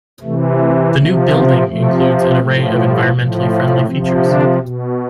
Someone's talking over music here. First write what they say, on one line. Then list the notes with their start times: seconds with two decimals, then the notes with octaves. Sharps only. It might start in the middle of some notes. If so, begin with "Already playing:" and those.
The new building includes an array of environmentally friendly features.
0.22 C3 E3 A3
0.59 A3
0.95 C3 F3 A3
1.31 B2 B3
1.68 C3 F3 A3
2.41 A2 F3 A3
2.77 G3
3.14 A2 F3
3.50 A3
3.86 C3 F3 C4
4.22 D3 D4
4.59 B2